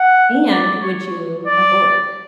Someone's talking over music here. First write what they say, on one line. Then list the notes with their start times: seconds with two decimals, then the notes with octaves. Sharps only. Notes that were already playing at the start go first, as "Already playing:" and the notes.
And would you avoid?
Already playing: F#5
0.48 D5
0.81 C#5
1.47 D5